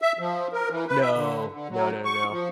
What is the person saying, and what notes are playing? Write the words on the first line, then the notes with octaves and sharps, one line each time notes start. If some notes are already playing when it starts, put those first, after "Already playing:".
No. No, no, no.
E5
F3
A#4
E3
B4
E5
D3
D3
F#3
C#6
F3